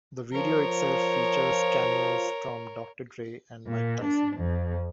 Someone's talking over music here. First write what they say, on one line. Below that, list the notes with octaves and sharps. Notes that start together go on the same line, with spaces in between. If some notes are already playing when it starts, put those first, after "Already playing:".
The video itself features cameos from Doctor Dre and Mike Tyson.
F3 A#4 C#5
A#2
D4
F2